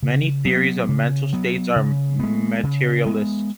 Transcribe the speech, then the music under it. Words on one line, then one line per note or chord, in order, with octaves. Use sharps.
Many theories of mental states are materialist.
C#3
F#3 B3
C#3
F#3 B3
C#3
G#3 B3
C#3
G#3 B3